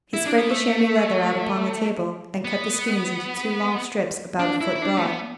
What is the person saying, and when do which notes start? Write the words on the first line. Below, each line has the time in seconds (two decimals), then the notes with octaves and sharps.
He spread the chamois leather out upon the table, and cut the skins into two long strips, about a foot broad.
0.13 E4
0.26 D4
0.38 B3
0.50 A3
2.44 B3
4.39 D4
4.61 E4
4.75 E4
4.82 D4
4.97 A3
5.04 B3